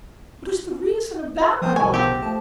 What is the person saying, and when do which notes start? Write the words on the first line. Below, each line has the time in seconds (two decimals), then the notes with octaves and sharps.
What is the reason of that, I wonder?
1.62 F3 B3 C4 B4 C5 D#6
1.76 B1 D#3 F3 G#3 G#5 C#6
1.94 B3 C4 G4
2.22 F3 A3 A5